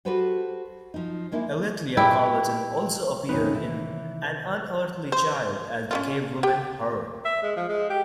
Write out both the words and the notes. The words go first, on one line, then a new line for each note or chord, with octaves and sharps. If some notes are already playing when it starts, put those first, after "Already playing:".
Alethea Charlton also appeared in "An Unearthly Child" as the cavewoman, Hur.
F#4 G4 A4 B4 C5 F#5
F3 D#4
G#3 A#3 D#4 E4
A#2 G#3 E4 G4 B4 E5 G5
E2 C3 D#3 C#4 D#4 B4
E3
C5
C#4 D4 F4
G4 G5
E5
G#3
F3
G#3
G4